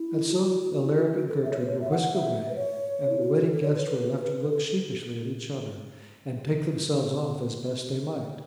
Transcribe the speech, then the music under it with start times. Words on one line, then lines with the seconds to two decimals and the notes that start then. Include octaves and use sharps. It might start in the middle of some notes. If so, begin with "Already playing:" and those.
And so Alaric and Gertrude were whisked away, and the wedding guests were left to look sheepish at each other, and take themselves off as best they might.
Already playing: E4
0.30 F#4
0.63 F#4
0.74 F#4
0.84 E4
0.96 F#4
1.06 E4
1.17 F#4
1.27 A4
1.45 E5
1.51 C#5
1.60 B4
1.70 C#5
1.81 E5
1.91 F#5
2.02 F#5
2.14 E5
2.49 B4
2.56 C#5
3.10 E4
3.21 F#4
3.52 A4
3.63 C#5
3.74 B4
4.49 A4